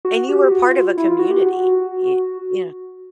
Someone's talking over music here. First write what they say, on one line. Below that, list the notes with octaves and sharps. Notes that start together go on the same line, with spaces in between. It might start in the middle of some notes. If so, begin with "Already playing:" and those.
And you were part of a community. Ye yeah.
F#4
G4
F#4
F4
E4
F4
F#4
G4
F#4